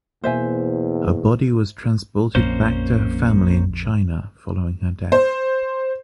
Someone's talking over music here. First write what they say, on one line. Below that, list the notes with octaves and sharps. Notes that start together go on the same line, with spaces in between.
Her body was transported back to her family in China following her death.
E2 B2 A#3 C5 E5 G#5
A#1 F2 A#3 C#4 C5
C5